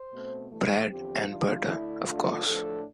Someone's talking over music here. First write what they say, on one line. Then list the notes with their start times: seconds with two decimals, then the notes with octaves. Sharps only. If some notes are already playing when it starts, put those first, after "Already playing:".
Bread-and-butter, of course.
Already playing: C5
0.11 B2 A3 C4
0.51 G2 E3 A3
0.89 E2 D3 F3 C4 G4
1.28 G2 E3 G3 D4 F4
1.67 D3 A3 D4 E4
2.06 D3 A3 D4 F4
2.45 A2 F3 A3 D4 A4